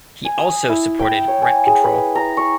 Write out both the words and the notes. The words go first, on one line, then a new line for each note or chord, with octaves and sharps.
He also supported rent control.
G#5
D#6
E4
G5
C#5
G#5
G#4
B4
A#5
C#6